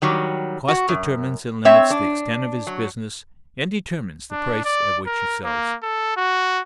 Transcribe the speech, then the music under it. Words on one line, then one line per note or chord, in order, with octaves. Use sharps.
Cost determines and limits the extent of his business and determines the price at which he sells.
D#3 F#3 G3
F#4
F#2
C4 C#5 E5
D4
F#3
D4
D5
A#4
A#3
A4
F#4